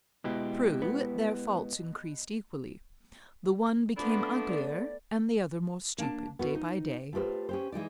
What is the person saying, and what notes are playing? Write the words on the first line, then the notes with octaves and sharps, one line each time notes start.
True, their faults increased equally: the one became uglier, and the other more stupid, day by day.
B2 G#3 E4 G4
B3
F3 A3 B3 C4 D4 B5
D5
A#3 D4 A5
B3 F#4 B4
D#4
A3 F4 G4 B4 C5
C#4 G4 C5
E3 G#3 D#4 D5